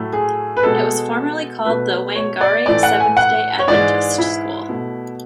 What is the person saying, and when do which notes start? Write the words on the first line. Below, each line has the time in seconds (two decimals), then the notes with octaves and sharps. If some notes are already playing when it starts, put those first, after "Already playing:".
It was formerly called the Whangarei Seventhday Adventist School.
Already playing: A2 F#3 A3
0.13 G#4
0.57 B4
0.63 B2 G#3 A4
1.64 B2 A3 B4
2.16 C#5
2.41 D5
2.66 A2 E3 A3 D5
2.83 F#5
3.00 G#5
3.17 F#5
3.59 C#5
3.67 G#2 E3 G#3 D5
4.18 E4
4.69 B2 A3